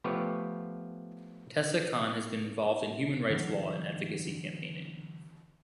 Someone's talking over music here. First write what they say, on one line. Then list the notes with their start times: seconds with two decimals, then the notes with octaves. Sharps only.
Tessa Khan has been involved in human rights law and advocacy campaigning.
0.04 F3 A3 B3 G4 B4 C#5
3.30 D3 E3 F#3